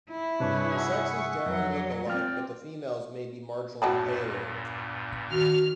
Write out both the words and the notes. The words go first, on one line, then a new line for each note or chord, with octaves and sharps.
The sexes generally look alike but the females may be marginally paler.
E4
G2 C3 D4 G#4 B4 C#5 G#5 C#6
E5 F#5
F2 F#3
C4 F4 D5 G5 F6
E2 G2 A#2 F#3 A5 B5
D#3 F#4 F6